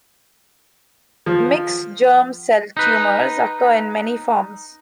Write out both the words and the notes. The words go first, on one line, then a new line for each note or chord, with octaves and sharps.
Mixed germ cell tumors occur in many forms.
F3
D#4 B4